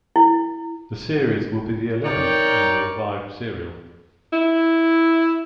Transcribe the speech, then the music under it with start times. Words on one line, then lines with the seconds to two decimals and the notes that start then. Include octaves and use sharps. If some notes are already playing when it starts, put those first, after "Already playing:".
The series will be the eleventh in the revived serial.
0.16 E4
2.05 D#4 A#4 C#5 D5 G5
4.33 E4